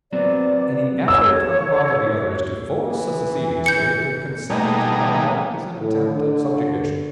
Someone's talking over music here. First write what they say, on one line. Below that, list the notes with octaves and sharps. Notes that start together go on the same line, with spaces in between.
Any effort on the part of the others to force the seceding State to consent to come back is an attempt at subjugation.
F#3 B3 C4 D5
C#5 E6
E3
G6 C#7
B2 G3 A3 A#3 D#4 G#4
A2
D3